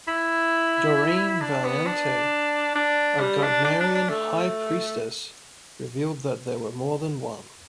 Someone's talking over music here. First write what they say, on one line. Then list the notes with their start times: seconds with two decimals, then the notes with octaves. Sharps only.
Doreen Valiente, a Gardnerian High Priestess, revealed that there were more than one.
0.08 E4
1.42 D4
1.65 B3
1.86 D4
2.75 D4
3.20 G3
3.43 D4
3.65 D4
3.80 D4
3.95 D4
4.09 A3